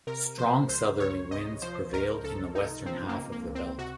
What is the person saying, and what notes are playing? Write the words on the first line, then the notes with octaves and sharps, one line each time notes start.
Strong southerly winds prevailed in the western half of the belt.
C3 A#4
F3 C5
C#2 C5
C#2 C#5
C3 D#5
F3 C5
C#2 A#4
C#2 A4
C3 D#4
F3 C4
A#3
C#2
A#3
C#2
C4
C3 F#4